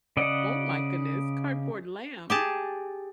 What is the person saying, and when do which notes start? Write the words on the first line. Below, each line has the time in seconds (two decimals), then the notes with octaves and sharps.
Oh my goodness, Cardboard Lamb?
0.17 C#3 D5 D#5 F#5
2.30 G4 G#4 A5